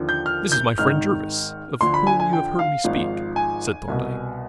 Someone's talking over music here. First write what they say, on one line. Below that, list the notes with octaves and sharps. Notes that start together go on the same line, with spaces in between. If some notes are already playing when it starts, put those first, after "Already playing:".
"This is my friend Jervis, of whom you have heard me speak," said Thorndyke.
Already playing: D#2 D3 F3
G6
F6
G6
G#1 G#2 D#3 F6
D2 D3 F3 C6
B5
G#5
G#5
G5
F5
G#1 G#2 F3
G#5
C2 B2